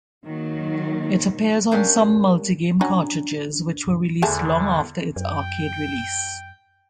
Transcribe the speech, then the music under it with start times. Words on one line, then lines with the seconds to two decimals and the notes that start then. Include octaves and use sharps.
It appears on some multi-game cartridges, which were released long after its arcade release.
0.25 D#3 F#3 A#3
1.71 A#3 C#4 D4 G4
2.81 C#4 D4 F#4 A#5
4.22 E2 D3 A3 G#4 A5
5.16 F#2 G5